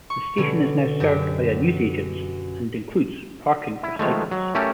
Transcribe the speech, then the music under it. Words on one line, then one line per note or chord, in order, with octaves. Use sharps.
The station is now served by a newsagents, and includes parking for cycles.
C#6
B2 D3 C#4
F#2 G4
E4
D#3 F3 G#3 A3
F#3
A3 C#4 G4 A4 A#4 E5